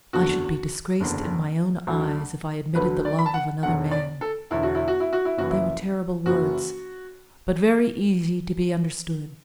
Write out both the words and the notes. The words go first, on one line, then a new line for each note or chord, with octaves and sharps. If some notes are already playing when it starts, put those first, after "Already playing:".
"I should be disgraced in my own eyes if I admitted the love of another man!" They were terrible words, but very easy to be understood.
F#1 E2 D3 F#4
F#1 E2 D3
D2 D3 F#3
D2 D3 F#3 B4
D5
B5
A5
F#5
E1 E2 D3 F#5
D5
A4
E1 E2 D3 E4
F#4
E4
F#4
E4
F#4
E4
F#1 F#2 E3 F#4
E4
F#1 F#2 E3 F#4